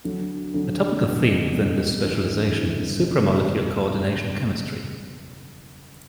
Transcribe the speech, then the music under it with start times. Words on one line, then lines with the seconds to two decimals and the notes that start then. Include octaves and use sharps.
A topical theme within this specialization is supramolecular coordination chemistry.
0.04 D2 D3 F#3
0.54 D2 D3 F#3
1.01 E2 B2 F#3
1.51 E2 B2 F#3
2.00 G1 G2 E3
2.49 G1 G2 E3
2.98 F#1 E2 B2
3.47 F#1 E2 B2